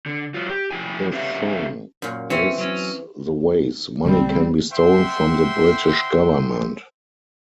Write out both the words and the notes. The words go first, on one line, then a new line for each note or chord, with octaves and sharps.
The song lists the ways money can be stolen from the British government.
D3
F#3 F4
G4
F3 E4 G5 G#5
B3 C#4 G4 B4 E5 F5
F#2 A#2
E3 C4 C#4 E5
F#3 C#4
B1 D3 G3 A3 C4
C5 E5 F#5 G5 C6